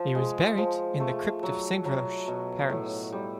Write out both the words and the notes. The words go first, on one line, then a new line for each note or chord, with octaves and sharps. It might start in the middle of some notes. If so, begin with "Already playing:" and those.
He was buried in the crypt of Saint-Roch, Paris.
Already playing: F3
G#3
F3
A3
F#3
F#3
B2
A2
G3